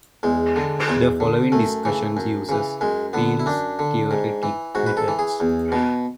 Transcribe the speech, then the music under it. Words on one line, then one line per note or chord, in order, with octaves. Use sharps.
The following discussion uses field theoretic methods.
E2 G#3
D3
E2
D3
F#2 A3
C#3 E3
F#2
C#3 E3
F#2 G#3
D3 B3
E4
F#2 D4
D3
G#2
E3
G#2 F#4
B4
A4
E3
G#4
E2
B2